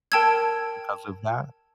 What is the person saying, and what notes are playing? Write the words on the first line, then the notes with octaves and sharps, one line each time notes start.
because of that?
A#4 G5 A5 E6 G#6